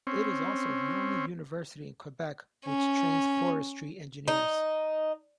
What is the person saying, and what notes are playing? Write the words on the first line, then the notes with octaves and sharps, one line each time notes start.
It is also the only university in Quebec which trains forestry engineers.
C4 C#4
C#4
D#4